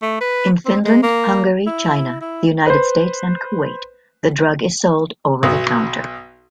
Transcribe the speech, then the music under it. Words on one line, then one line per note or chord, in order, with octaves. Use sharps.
In Finland, Hungary, China, The United States and Kuwait the drug is sold over-the-counter.
A3
B4
C4
G#3
A#3
E4
E4
B4 C5
B1 B3 F#4